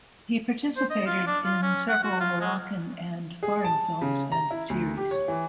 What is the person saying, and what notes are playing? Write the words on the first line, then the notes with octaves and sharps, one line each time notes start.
He participated in several Moroccan and foreign films and series.
C5
D#5
F4
D4
F4
C#4
F#5
F#4
F4
G#3
G#4
A5
C#3
A#5
E4
D2
G4
C#5
E3